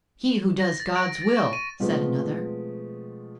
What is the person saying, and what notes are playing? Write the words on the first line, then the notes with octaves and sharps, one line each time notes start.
"He who does God's will," said another.
A#6
A6
D7
A6
C#6
D#7
B2 F3 G#3 A3 B3 C4